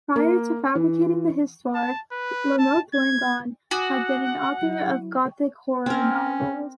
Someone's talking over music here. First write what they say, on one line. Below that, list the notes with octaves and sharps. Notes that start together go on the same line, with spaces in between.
Prior to fabricating the "Histoire", Lamothe-Langon had been an author of gothic horror novels.
A#3
E3
A5
B4
A5
G#6
F#4 F#5 G#5 D6 D#6
F#3 E4
C4 C#4 A#4